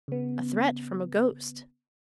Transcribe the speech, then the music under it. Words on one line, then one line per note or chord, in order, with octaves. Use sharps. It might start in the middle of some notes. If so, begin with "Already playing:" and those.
A threat from a ghost!
C#3 B3